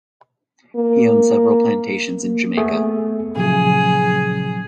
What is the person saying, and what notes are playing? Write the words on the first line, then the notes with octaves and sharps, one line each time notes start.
He owned several plantations in Jamaica.
A#3
A#3
A3 B3 G#4
A#2 C#3 F3 F#3 G#4